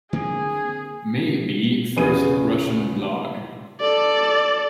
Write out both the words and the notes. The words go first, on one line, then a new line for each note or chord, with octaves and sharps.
May be first Russian blog.
D3 A#3 C4 G#4
E2 C#3 B3 G#4 D#7
A4 D5